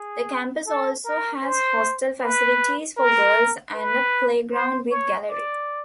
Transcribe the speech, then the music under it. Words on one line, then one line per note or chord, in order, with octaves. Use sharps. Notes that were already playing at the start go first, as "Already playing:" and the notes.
The campus also has hostel facilities for girls and a play ground with gallery.
Already playing: G#4
A4
A#4
C5
B4
A#4
B4
C5
C#5
D5